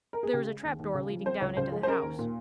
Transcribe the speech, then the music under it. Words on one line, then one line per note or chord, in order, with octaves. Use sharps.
There was a trap-door leading down into the house.
A#4
G#4
C#3 G4
G#3
D#2
D#2
C#3
F3
C4 C5
C#2 C#5
C#3 C5
G#3
C5
C#4 A#4
D#2
A#2